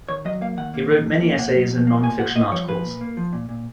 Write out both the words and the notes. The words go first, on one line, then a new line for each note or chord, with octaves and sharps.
He wrote many essays and non-fiction articles.
D#3 C#5
F#3 D#5
A#3 F5
D#3 F#5
A#3
D#3
F2
A#3
A#3 F#5
F#3
F2
A#3
A#2 G#5
A#2 F#5
A#2 D#5
F3 C#5
F3 B4
A#2
A#3
F3
A#2
A#2